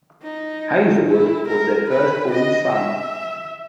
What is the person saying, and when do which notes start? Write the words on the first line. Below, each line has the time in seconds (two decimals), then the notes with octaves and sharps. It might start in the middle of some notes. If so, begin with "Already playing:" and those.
Hazelwood was their first-born son.
0.23 D#4
1.06 E4
1.48 A#4
1.90 B4
2.31 D#5
2.73 E5